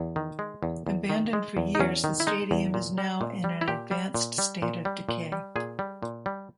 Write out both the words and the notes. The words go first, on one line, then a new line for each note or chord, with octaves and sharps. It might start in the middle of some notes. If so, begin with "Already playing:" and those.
Abandoned for years, the stadium is now in an advanced state of decay.
Already playing: E2
D#3
G#3
E2
E2
D#3
G#3
E2
D#4
E2 C#4
D#3
E4
G#3 D#4
E2
A#2
G3
A#2
G3
E4
A#2 G4
G3
A#2
G3
A#2
G3
A#2
G3
A#2 G#4
G3
A#2
G3